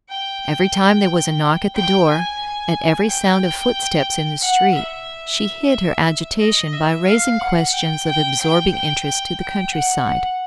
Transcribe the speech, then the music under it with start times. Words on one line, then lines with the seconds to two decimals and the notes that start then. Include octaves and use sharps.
Every time there was a knock at the door, at every sound of footsteps in the street, she hid her agitation by raising questions of absorbing interest to the countryside.
0.09 G5
1.74 G5
2.08 G#5
3.08 G5
4.41 F#5
4.74 E5
6.39 D#5
6.73 E5
7.07 F5
7.39 F#5
7.73 G5
8.06 G5
8.39 G5
8.72 G5
9.05 G5
9.39 G5
9.72 F#5
10.06 F#5